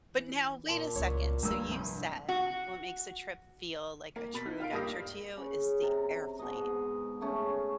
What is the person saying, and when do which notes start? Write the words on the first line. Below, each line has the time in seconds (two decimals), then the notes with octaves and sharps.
But now, wait a second, so you said what makes a trip feel like a true adventure to you is the airplane,
0.12 E3
0.68 A#2 A5 C6
0.96 C#2 C#5
1.43 G2 D#3 F3 A#3 E6
1.71 C2 G2
2.29 F#4
4.16 A#3
4.34 B2 B5 A6 B6
4.46 D#4
4.60 F4 F5 F6 D7
4.72 G2 A#3 G4 D#6 A#6
5.37 C#3
5.82 C3 A#5
6.39 G#2 B2 G#3 D#5
7.21 C#3 A3 C#4